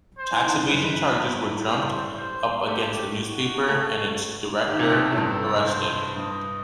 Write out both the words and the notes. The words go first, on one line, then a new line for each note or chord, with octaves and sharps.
Tax-evasion charges were trumped up against the newspaper and its director arrested.
C5
E3
D#3
G2
F#2 B4
G2
A2
G3 C5
C5
A3 G4
F#4
A3
D#3 G4
C3
B2
A2
G2 A4
C5
G2 D#5